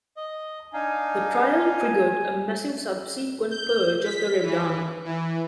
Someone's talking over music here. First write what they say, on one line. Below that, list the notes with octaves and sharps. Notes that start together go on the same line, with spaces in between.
The trial triggered a massive subsequent purge of the Red Army.
D#5
D4 D#4 F5 G#5
G6
B6
E3
E3